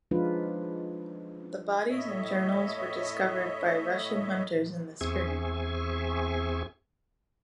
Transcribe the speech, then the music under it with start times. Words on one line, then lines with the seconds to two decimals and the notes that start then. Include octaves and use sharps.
The bodies and journals were discovered by Russian hunters in the spring.
0.11 F3 G#3 D4 D#4 F4 B4
1.90 A2 C#5 D#5 E5
5.01 E2 C4 G#4 E5 G#5 C#6